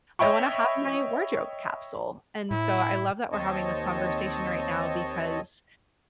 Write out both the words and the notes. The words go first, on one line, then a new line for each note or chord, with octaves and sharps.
I wanna have my wardrobe capsule," and so I love that we're having this conversation right now, because
C#5 D#5 E5 G5 B5 C#6
A2 E4
D#2 C4 C#5 D#5 A5